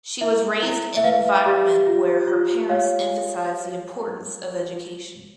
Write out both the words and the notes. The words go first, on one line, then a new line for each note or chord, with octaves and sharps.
She was raised an environment where her parents emphasized the importance of education.
E4 E5
E4
E5
B4 F5
G4
F4
F4
C#5 F5